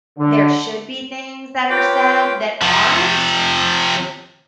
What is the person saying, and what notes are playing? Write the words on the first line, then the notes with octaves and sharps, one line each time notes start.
there should be things that are said that aren't?
D3
F4 G4 B4 C#5 G5 D6
C3 F3